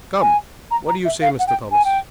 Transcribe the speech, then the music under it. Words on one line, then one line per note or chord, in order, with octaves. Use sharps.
"Come, what do you say, Mr. Thomas?"
G#5
A#5
A#5
E5
F5
F#5
G5
G#5
G5